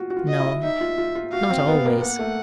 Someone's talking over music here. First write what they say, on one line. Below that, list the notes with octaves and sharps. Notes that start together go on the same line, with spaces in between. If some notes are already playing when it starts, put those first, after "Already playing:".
"No, not always."
Already playing: F4 F#4
F#4
F4
D#5
E4
D#4 E5
F4
F4
F4
F#4 F5
C4
B3
A#3
A#3 F#5
A3